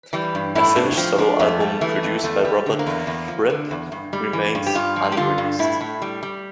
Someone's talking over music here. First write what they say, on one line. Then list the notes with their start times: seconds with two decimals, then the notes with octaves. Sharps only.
A finished solo album, produced by Robert Fripp, remains unreleased.
0.13 E3 G3
0.35 G2
0.55 A2 E4
0.76 A2 D4
0.97 F3 C4
1.18 F3 D4
1.39 F2 A3
1.60 G3
1.81 E3 A3
2.03 F2
2.24 E2 A3
2.45 G3
2.66 D3
2.79 A#3
2.87 E2
3.07 E2
3.28 F3
3.50 D3
3.71 E2
3.92 G2
4.13 G3
4.33 E3
4.55 G2
4.67 G4
4.75 G2 F4
4.96 F3
5.12 G4
5.17 D3 F4
5.38 G2
5.59 A2 E4
5.81 A2
6.02 G3
6.23 G3